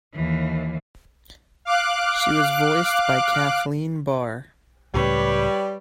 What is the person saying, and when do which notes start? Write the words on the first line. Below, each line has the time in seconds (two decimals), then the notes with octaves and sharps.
She was voiced by Kathleen Barr.
0.14 D#2 E3
1.65 F5 D6 F#6
4.94 C#2 A2 C#3 G3 B4 C#5